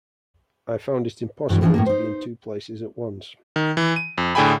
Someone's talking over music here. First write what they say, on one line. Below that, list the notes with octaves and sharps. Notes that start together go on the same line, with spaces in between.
I found it impossible to be in two places at once.
G2 B2 E3 G3
D3 E3 F3 G3 C#4 D4
A2 F3 A#3
D#4 C5
D#3
E3
D#7
F2
A2 D3 G#4 G5 G#5 B5